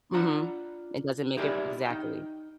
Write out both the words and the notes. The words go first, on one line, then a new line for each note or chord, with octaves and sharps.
Mhm. It doesn't make it Exactly.
D4 F4 F#5 A#5
D#4 E4 G4 G#4 A#4 D5
D#4 G5